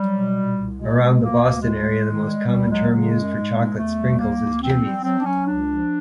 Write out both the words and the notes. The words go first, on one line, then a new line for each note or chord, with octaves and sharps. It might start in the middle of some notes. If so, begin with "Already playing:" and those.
Around the Boston area the most common term used for chocolate sprinkles is jimmies.
Already playing: F#3 G3
B2
A#2
C2
B2 G#3
B2
D2 A#3
D2
A2 G#3
A2
D#3
G3
D2 G3
F#3 G#3
C#3 G#3
F#2
G#2
G#2
E2 A3
G3
D2 A#3
D2
E3 C4
G3
F#3 C4
D4
F#3 C#4
C#2 D4
F3